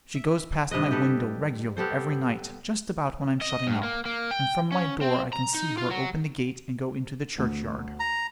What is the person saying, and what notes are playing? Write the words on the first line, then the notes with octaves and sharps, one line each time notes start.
She goes past my window regular every night, just about when I'm shutting up, and from my door I can see her open the gate and go into the churchyard.
E5
G2 C3 B4 D#5
G4 A4 B4
B3 G4 A4 C5
D#5
G2
A#3
A#3
G5
C#4
C4
A#5
D#4
F4
F#3
D2
A#5